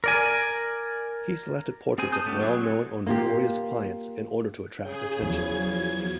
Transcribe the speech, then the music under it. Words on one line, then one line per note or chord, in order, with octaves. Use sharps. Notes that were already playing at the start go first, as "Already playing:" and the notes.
He selected portraits of well-known or notorious clients in order to attract attention.
A#4 D5 G#5
C4 G#4 C5 G#5
A5 D#6 G6
A3 C#4 F#4 G4
F#3 C4 G#4
G#3 A3 C#5
A#3 F4 G4
C#3 G#4 G6
E2 F3 F#3 G#6